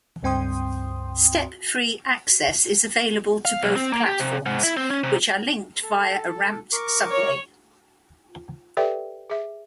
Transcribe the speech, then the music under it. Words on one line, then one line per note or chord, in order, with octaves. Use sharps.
Step-free access is available to both platforms, which are linked via a ramped subway.
C#2 G2 C4 G5 C6 D#6
F5
B1
C4
A#3
G4
C3
G#2
E4
C4
C#4
C3
A4
A#4 C#6 D6
C#5
G4 A4 B4 D5 E5 G5
G#4 E5